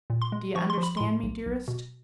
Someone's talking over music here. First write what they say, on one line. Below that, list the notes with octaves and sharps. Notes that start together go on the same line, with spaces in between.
Do you understand me, dearest?
A#2
C6
G#3
F3 C#6
C6
F3
B5
A2 C6
B1
B1
B2